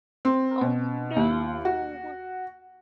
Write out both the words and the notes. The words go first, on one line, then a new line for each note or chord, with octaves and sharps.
Oh, no.
C4
B2
D#2
F#4